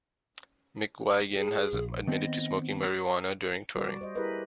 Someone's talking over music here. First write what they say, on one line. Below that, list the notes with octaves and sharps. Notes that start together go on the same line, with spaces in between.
McGuigan has admitted to smoking marijuana during touring.
G#4
A#1
D#3 B3 C4 D#5
G3 F#4 D5
C5 D#5
E4 G4 G#4 A#4 B4 D#5